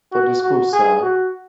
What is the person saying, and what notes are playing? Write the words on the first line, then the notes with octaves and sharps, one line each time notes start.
For the school, sir?
F#4
F#4
G#4
F#4